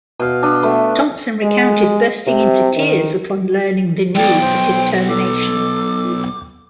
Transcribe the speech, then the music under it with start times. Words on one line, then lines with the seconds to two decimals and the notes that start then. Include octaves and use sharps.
Thompson recounted bursting into tears upon learning the news of his termination.
0.20 B2 F5
0.43 D4 D#5
0.63 A3 B3
1.43 G#3
2.27 C3
2.77 D#3
4.15 B1 F#2 D5 G5
4.41 C5
5.08 A4 D6